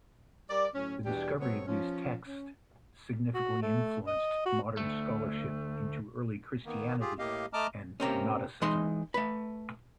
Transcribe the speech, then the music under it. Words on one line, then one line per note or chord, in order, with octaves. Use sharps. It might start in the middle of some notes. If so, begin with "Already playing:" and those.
The discovery of these texts significantly influenced modern scholarship into early Christianity and Gnosticism.
G3 A#4 D5
A2 F#3 C#4
E2 B2 G3 D4 G4
F#3 A3 B3 C4 C#5
F3 C#4
C#4
F#4
A3
D#5
F#4
D2 A3
D#3 A#3 B3
F4 G4 G#4
A2 A#3 G4 D#5 F5
A3 D#5 A5 A#5 D6 F6
C3 A#3 C4 C#4
E3 G#3 D#4 D#5 C6
A3 B4